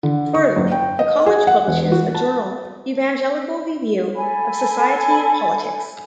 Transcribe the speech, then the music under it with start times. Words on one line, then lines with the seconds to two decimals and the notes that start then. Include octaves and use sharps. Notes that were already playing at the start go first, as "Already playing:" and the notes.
Further, the college publishes a journal Evangelical Review of Society and Politics.
0.03 D3
0.34 C#6
0.56 F#1
0.72 G5
0.99 D#5
1.26 G#4
1.47 F#5
1.67 E1
1.92 F#4
2.14 A5
4.15 A4 G#5 B5